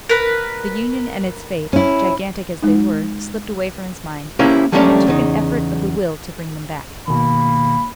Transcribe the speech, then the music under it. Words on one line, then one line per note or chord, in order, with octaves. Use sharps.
The Union and its fate, gigantic as they were, slipped away from his mind, and it took an effort of the will to bring them back.
A#4 B4
C#4 E4
G#3 D#4
A#3 C#4 E4 G4 A#4 C5
F3 G3 A3 A#3 C#4 D4
E2 C#3 D#4
B2 D#3 A#3 B5